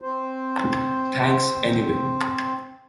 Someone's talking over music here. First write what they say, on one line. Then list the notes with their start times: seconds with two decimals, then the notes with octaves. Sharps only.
Thanks anyway.
0.02 C4 C5